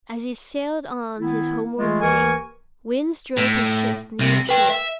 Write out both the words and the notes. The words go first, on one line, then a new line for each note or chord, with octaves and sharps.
As he sailed on his homeward way, winds drove his ships near the shore.
D#3 B3 E4
E3 G#3 A3 F4 G#4
D#2 E3 A#4 G#5 C#6
A2
C2 C3
B4 G5
E5